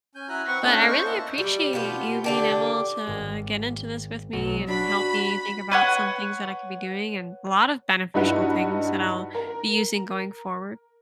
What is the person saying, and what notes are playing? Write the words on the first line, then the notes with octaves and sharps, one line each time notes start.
But I really appreciate you being able to get into this with me and help me think about some things that I could be doing and a lot of beneficial things that I'll be using going forward.
C#4 G#5 G6
E4 F#4 G#5 A#5 F#6
C4 B4 F#5 C#6
A3 C#4 D4 F#4 D#5
C5 C#6
A#3 E4 D#5 F#5 A5
G3
B2 B3 F4 G4
D3 D4 G4
G#1
B1 F#3 F#4
D4 F#4 B5
B4 C#5 F#5
G2 D#4 E4 F#4 B4 F#5
A#4